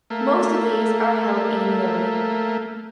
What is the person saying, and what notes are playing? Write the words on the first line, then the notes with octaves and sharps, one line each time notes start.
Most of these are held annually.
A3 A#3